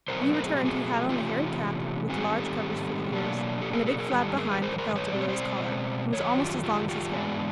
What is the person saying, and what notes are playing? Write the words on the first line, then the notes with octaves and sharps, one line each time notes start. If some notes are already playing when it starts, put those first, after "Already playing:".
When he returned he had on a hairy cap, with large covers for the ears, and a big flap behind that fell to below his collar, and was almost as long as his hair.
B2 F#3 A3 C4 A#4 C5
B4 C#5
A#4 C5
G#4
G4
F#4 G#4
C3 E3 A3 C#4 F4 G4
G#2 D#3 G3 C4 F#4 G#4
G4 A4
B2 F#3 A#3 D4
G4 A4
G#4 A#4
G4 A4
G#4 A#4
G#2 D#3 G3 G4 A4
G#4 A#4
B4
A#4 C5
A#4 C5
B4 C#5
B2 G#3 C4 D5
C#5
C5 D5
F#2 D#3 F#3 C#5
F4 G4
F4 G4
F4 G4
G#2 E3 G#3 B3 D4 F#4 G#4